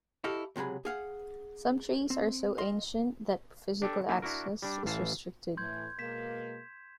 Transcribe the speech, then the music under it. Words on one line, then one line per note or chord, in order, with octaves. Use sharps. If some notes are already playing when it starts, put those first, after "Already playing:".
Some trees are so ancient that physical access is restricted.
E4 F#4 G4 A4 D#5 F5
C#2 C3 F#3 G#4 B5
G#4 F5 F#5
C4
D#5 F5 C6
D4 G4 A4
A#3 D#4 E4 G4 G#5 A5
D4 E4 F#4 A#4
G3 D4
A1 E3 F5 A5
A2 E3 C6 G6 G#6
B2 G#3 A#3 B6 E7